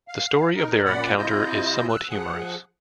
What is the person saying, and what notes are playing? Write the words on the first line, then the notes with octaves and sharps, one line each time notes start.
The story of their encounter is somewhat humorous.
F5
D#4 A#4
F#2 A#2 D5 F#5 B5
C3 E4 F4 D#5 G6
E6 F#6
F3 G#4 F#5 F#6